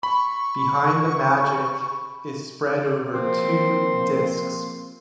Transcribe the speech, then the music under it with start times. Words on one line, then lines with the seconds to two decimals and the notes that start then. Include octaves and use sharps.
"Behind the Magic" is spread over two discs.
0.03 B5 C#6
3.14 F3 A#3 C4 C6